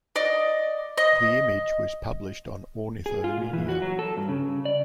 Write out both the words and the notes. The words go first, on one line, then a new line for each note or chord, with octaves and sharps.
The image was published on Ornithomedia.
D5 D#5
D#5
G#4
F4
A#2
E3
F#4
F#3
A4
G2
C#3
D5